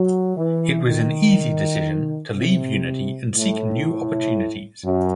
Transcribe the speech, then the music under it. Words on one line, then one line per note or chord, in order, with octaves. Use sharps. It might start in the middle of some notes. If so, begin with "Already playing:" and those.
It was an easy decision to leave Unity and seek new opportunities.
Already playing: F#3
E3
D#3
C3
A2
F#2